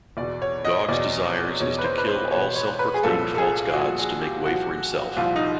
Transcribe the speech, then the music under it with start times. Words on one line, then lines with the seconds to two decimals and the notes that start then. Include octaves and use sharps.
Gog's desires is to kill all self-proclaimed false gods to make way for himself.
0.17 E2 B2 D5
0.42 C#5
0.65 D#5
0.89 E2 B2 D5
1.60 E2 B2 C#5
1.79 B4
1.84 C5
1.98 B4
2.07 C5
2.31 E2 B2 C#5
2.56 C#5
2.79 B4
2.94 G#4
3.03 C2 A#2 F3 A4
3.34 A4
3.38 G#4
3.74 C2 A#2 F3 F#4
3.99 G#4
4.22 G4
4.46 C2 A#2 F3 F#4
5.17 C2 A#2 F3 F4
5.36 D#4